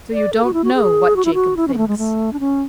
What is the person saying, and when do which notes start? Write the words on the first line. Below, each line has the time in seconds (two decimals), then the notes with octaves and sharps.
"So you don't know what Jacob thinks?"
0.13 D5
0.33 A4
0.44 F#4
0.53 E4
0.64 F#4
0.74 G#4
1.16 F#4
1.25 E4
1.34 F#4
1.57 E4
1.68 C#4
1.74 B3
1.78 A3
1.88 G#3
1.98 A3
2.33 D4
2.40 C#4